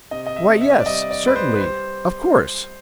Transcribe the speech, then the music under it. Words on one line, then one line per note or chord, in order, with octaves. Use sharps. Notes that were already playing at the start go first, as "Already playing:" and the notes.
Why yes, certainly, of course!
C3 D#5
D#5
E5
C3
E5
D5
G3 D#5
D5
G3 B4
C5
B4
G3 C5